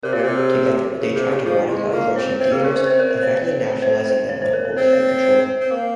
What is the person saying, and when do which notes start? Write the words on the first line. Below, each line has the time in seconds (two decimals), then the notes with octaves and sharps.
Together, they tried to radicalize Russian theatres, effectively nationalizing them under Bolshevik control.
0.03 C3 A#4
0.13 A#2 C#5
0.19 C3 C5
0.36 G#4
0.99 C#3
1.14 C3
1.30 C#3
1.45 F3 F4
1.69 G#3 E4
1.93 A#3 F4
2.16 C4 C#5
2.40 C4 C5
2.52 A#3 G#4
2.64 C#4 A#4
2.76 C#4 C5
2.87 C4 C5
3.00 A#4
3.11 C5
3.23 C#5
3.82 C5
4.06 C5
4.29 C#5
4.42 C5
4.53 A#4
4.65 C#5
4.77 C4 C5
4.93 C#5
5.08 C5
5.23 C5
5.40 C5
5.60 C4
5.71 A#3